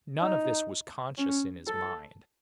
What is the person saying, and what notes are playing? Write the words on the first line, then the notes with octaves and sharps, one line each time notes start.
None of this was conscious in his mind.
D#4
C#4
A4